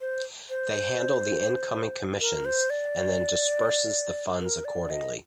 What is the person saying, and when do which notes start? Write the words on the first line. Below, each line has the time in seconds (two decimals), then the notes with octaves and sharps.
They handle the incoming commissions, and then disburses the funds accordingly.
0.01 C5
0.50 C5
2.20 A#4
2.45 C5
2.70 D5
4.41 A#4
4.65 D5
4.90 D#5